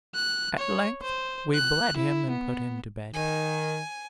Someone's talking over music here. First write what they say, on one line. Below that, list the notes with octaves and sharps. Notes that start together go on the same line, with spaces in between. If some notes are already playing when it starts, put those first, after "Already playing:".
At length we bled him and put him to bed.
F#6
C#5
C5
F#6
E4
B3
D#3 G#5